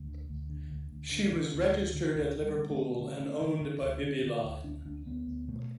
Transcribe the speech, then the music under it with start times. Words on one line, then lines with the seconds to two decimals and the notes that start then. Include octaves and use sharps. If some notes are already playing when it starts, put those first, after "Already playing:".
She was registered at Liverpool and owned by Bibby Line.
Already playing: D2
0.08 D3
0.29 D2
0.49 D3
0.70 D2
0.91 D2
1.12 D3
1.33 D3
1.54 D2
1.74 D3
1.95 D3
2.16 D2 D3
2.36 D2
2.44 G3
2.57 D3
2.71 A3
2.78 D3
2.99 D3
3.20 D3
3.41 D3
3.61 D3
3.82 D2
4.03 D3
4.23 D3
4.44 D2
4.64 D2 D4
4.85 D2 D4
5.06 D2 B3
5.27 D2
5.48 B2 A3